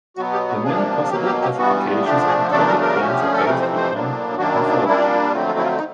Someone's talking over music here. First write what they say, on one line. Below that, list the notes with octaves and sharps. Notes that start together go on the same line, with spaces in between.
The many possible classifications of aquatic plants are based upon morphology.
B2 F#3 B3 F#4
G4
F#4
C3 F3 A#3 D4 G#4
B2 F#3 A#3 G4
G4
G4
G2 E3 G3 B3 F#4
D3 F3 A3 D4 G4
G#4
E2 C#3 F#3 A3 D4 A4
A#4
A#4
D3 F3 A3 C#4 F#4
G4
G#4
A4
F2 C3 E3 A3 C4 A#4
C5
C5
A2 F#3 A#3 D4
F#2 D#3 F#3 A#3 D4 F#4
E4
D#4
A#2 G3 A#3 D4 E4
F2 D3 F#3 A3 C4 F4
F4
E4
F4
D#4